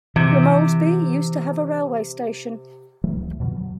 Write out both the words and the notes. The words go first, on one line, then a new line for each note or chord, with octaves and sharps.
Grimoldby used to have a railway station.
C3 E3
E3 F#3 G3 A3
C#2
F2 B2 D3 F3
F#3